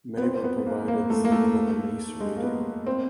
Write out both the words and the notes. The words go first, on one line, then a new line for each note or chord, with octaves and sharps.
Many were provided through Lebanese radio.
B3
C4
C4
B3
A#3
A#3
A3
A#3
A3
G#3
A#3
B3
C4